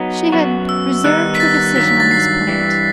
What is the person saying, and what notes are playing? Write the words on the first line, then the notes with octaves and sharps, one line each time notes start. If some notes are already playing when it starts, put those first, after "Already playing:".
She had reserved her decision on this point.
Already playing: F#3 B3 D#4
F#2 F#3 B3 F#4
E6
D#3 G3 B3 D#4 F#6
B6
A6
G2 D#3 F#3 B6
B6
A6
C7
G2 E3 G3